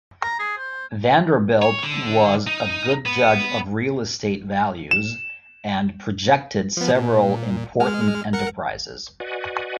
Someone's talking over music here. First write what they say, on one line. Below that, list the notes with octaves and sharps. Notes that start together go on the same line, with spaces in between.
Vanderbilt was a good judge of real estate values and projected several important enterprises.
A#5
G#4
C5
C#5
D3
D#4
B3
E7
F3 B3
A#2
G#3 F6
A#4 F#5 C#7
F#4 B4 D5 D#5 F#5 G#5